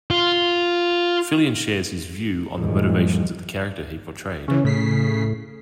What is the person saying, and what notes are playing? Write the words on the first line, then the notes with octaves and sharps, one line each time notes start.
Fillion shares his view on the motivations of the character he portrayed.
F4
F#2 A2 D#3 F3 G3 G#3
C#3 E3 C#4
A2 C#3 B6 C7